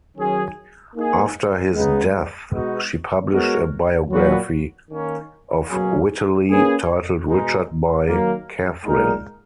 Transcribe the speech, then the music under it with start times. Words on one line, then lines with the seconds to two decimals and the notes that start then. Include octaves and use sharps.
After his death, she published a biography of Whiteley titled Richard by Kathryn.
0.15 D#3 F#3 C#4 G#4
0.95 A#3 D#4 G#4
1.74 C#3 G#3 B3 D#4
2.52 B2 G#3 B3 D#4 F#4
3.31 G#3 B3 F#4 A#4 C#5
4.10 A#2 F#3 B3 F#4 B4
4.89 D#3 A#3 C#4
5.68 B2 F#3 A#3 C#4 G#4
6.47 A#3 C#4 G#4 B4
7.26 B2 G#3 D#4
8.05 D#3 F#3 A#3
8.84 A#2 G#3 D#4 A#4